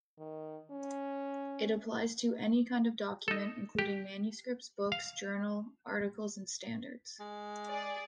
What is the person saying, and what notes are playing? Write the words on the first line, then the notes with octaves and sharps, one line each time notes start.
It applies to any kind of document, including manuscripts, books, journal articles, and standards.
D#3
C#4
D#4 A4
G4
F5
G#3
G#4 D5